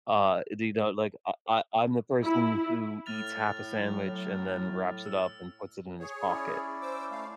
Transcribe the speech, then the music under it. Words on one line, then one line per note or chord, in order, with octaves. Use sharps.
Uh, do you know like, I I I'm the person who eats half a sandwich and then wraps it up and puts it in his pocket.
E4
A2 F6 A6 F7
F#3
E6
G#4 C#5
C#4 E4 D5
C5 D6 E6
A3 F5